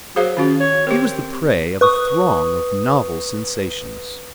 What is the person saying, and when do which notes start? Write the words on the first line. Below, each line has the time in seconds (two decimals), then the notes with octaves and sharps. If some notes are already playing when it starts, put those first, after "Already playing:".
He was the prey of a throng of novel sensations.
0.16 F#3 G#4 C5 F5
0.37 D#3 C#4 F4 F#4
0.61 C#5
0.87 C4 G4 A#4
1.81 B4 C#6 D#6